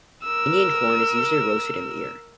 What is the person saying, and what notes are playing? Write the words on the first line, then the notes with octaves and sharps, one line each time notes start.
Indian corn is usually roasted in the ear.
A#4 E6